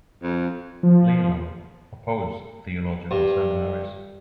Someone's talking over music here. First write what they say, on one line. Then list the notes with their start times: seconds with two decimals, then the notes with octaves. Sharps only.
Leland opposed theological seminaries.
0.22 F2
0.83 F3
3.11 G2